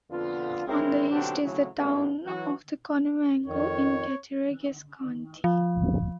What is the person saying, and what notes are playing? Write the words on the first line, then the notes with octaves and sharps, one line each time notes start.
On the east is the town of Conewango in Cattaraugus County.
F2 D3 B3 F4
G#3 C4 C#4 E4 A#4
B1 D3 F#3 C4 D4 G4
A2 C#3 F#3
G#1 G2
E3 F#3 F#4
F2 D#3 C#5
F3